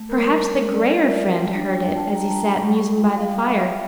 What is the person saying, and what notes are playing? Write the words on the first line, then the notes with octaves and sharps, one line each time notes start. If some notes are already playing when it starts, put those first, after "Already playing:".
Perhaps the grayer friend heard it, as he sat musing by the fire.
Already playing: A3
A#4
G3 C#5
G3
C#5
C#4
G3 D5
G3
E5
F4
G3 G5
D4
G5
F4
G3 A5
G3 A#5
A5
G3 A#5
G3 C#6
G3 C#6
F4 G5
G3 F5
G3
E5
F4